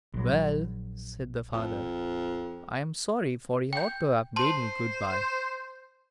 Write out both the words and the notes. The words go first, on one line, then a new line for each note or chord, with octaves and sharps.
"Well," said the father, "I am sorry; for he ought to have bade me good-bye."
A#1 F#3
F2
G5 G6
C5 A5 C6